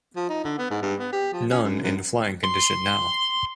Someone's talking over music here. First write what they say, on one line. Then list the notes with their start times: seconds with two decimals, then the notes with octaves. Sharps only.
None in flying condition now.
0.16 F3
0.29 D#4
0.45 D3
0.58 B3
0.70 G#2
0.82 G2
0.99 B3
1.13 G4
1.33 F3
1.51 C#4
1.63 F#2
1.84 F#2
2.44 C6